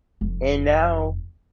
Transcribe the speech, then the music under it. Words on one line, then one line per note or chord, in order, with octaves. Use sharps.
and now
F1 F2